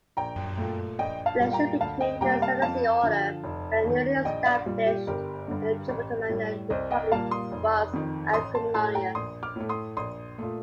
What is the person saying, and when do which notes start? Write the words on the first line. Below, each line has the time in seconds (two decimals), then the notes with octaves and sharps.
Relations between the Senussi Order and the newly established Tripolitanian Republic were acrimonious.
0.17 A#1 G5 A#5
0.58 A#2 A3
0.99 A#1 D#5 G5
1.26 F5 A5
1.40 A#2 G3 A#3
1.53 G5 A#5
1.81 D2 F5 A5
2.01 D#5 G5
2.21 C3 G3 A#3 G5 A#5
2.42 F5 A5
2.62 F2 F5 A5
3.03 D3 F3
3.44 F1
3.84 D#2 D#3
4.25 A#1 D#5 G5
4.46 D5 F5
4.66 A#2 G3
4.86 G4
5.07 G1 G4 A#4
5.48 G2 D3
5.89 A1
6.29 A2 G3
6.70 C2 C5 D#5
6.91 D#5 G5
7.12 A#2 G3 A#3 F5 A5
7.31 C6 D#6
7.52 F1
7.93 F2 D#3
8.33 A1 C6 D#6
8.55 A5 C6
8.74 A2 A3 A5 C6
8.95 G5 A#5
9.15 A#1 C6 D#6
9.43 D6 F6
9.56 A2 A3
9.69 C6 D#6
9.97 A#1 C6 D#6
10.38 A#2 A3